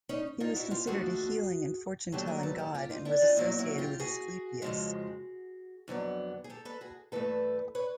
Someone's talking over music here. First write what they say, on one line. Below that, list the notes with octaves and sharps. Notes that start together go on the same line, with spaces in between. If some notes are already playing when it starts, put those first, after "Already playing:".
He was considered a healing and fortune-telling god and was associated with Asclepius.
C#4 D#4
D#4 F4
E4 F#4
F4 G4
D#2 D3 F3 A3 F#4 G#4
D#2 D3 F#3 A3 G4 A4
G#4 A#4
A4 B4
G4 A4
F4 G4
D#4 F4
D4 E4
D#4 F4
E2 B2 F#3 A#3 E4 F#4
E4 F#4
F4 G4
F#4 G#4
F2 C#3 F3 G#3
F2 D3 F#3 B3
G#4
G4 A4
A4 B4
F#4 G#4
G2 E3 A3 A4 B4
B4 C#5